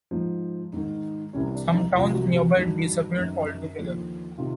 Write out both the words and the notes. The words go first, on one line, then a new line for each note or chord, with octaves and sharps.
Some towns nearby disappeared altogether.
G#2 F3
G#2 D#3
C2 C3 E3 C#4
D4
D#4
C2 C3 F3 F4
F#4
F#4
G2 D#3 F#4
F#2 D#3
D#2 D3 F3
C3 D#3 F4